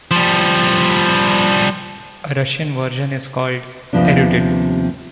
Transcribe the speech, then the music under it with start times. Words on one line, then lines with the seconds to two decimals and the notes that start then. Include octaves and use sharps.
A Russian version is called "Erudit".
0.11 F3 G3
3.93 D#2 G#2 C3 F3 B3 D4